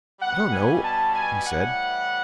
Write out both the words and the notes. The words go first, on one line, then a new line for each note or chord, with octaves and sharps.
"I don't know," he said.
B2 G3 F#5
G#5
A5
G#5
A2 E3 G3 F#5